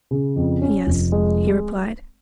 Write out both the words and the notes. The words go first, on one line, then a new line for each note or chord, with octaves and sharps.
"Yes," he replied.
C#3
F2
C#4
F1
G#3